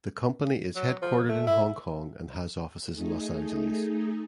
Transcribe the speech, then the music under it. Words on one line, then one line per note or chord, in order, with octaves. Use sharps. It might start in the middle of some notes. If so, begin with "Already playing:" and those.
The company is headquartered in Hong Kong and has offices in Los Angeles.
F#3
F3
A3
E4
A3 D#4 G#4